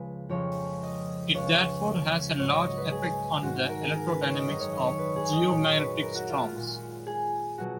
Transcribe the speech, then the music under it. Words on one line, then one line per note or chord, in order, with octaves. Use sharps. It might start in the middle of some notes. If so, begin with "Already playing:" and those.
It therefore has a large effect on the electrodynamics of geomagnetic storms.
Already playing: C#2 C#3 F3 G#3 G#4 B4
F2 C#3 F3 G#3 C#5
D#5
C#2 C#3 G#3 C#5
G#2 F#3 C#5
D#5
D#5
B4
G#4
G#2 D#3 G#3 F#4
A#4
G#4
A#4
B4
C#5
D#5
F#2 D#3 F#3 D#5
C#5
D#5
C#5
B4
G#4
D#5
A#2 F#3 C#5
B4
A#4
F#4
F4
F4
A#2 G#3
G#4
B2 F#3 F#4